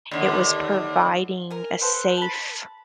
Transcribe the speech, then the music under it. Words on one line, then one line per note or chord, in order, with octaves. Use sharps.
it was providing a safe
D#2 D3
A#4 G#5
A4 B4 C5 F#5
A5 B5